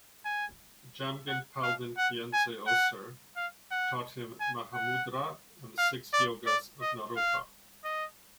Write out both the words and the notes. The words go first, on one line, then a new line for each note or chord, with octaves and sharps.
Jamgon Palden Kyentse Oser taught him Mahamudra and the Six Yogas of Naropa.
G#5
F#5
F5
F#5
G#5
F#5
F5
F#5
G#5
F#5
F5
D5
D5
D#5
F5
D#5